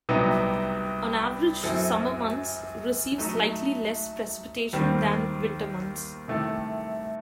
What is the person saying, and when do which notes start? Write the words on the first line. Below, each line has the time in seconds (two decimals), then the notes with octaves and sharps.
On average, summer months receive slightly less precipitation than winter months.
0.09 C2 C3 F#3 B3 D#4
1.63 F#2 F#3 C4 E4 A4
3.18 F#3 A3 D#4
4.73 D#2 D#3 G3 C4
6.28 C3 D#3 A3 E4 A4